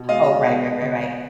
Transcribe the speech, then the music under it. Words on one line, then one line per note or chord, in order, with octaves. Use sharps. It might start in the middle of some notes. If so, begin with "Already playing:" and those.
Oh, right, right, right, right.
Already playing: B2
G#3 D#5 F5
B3
C#3